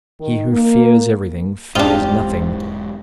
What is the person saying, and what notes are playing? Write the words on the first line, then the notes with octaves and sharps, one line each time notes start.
He who fears everything fears nothing.
D#3
A#3
E1 G#2 C4 D4 D#4 F4 G4 F5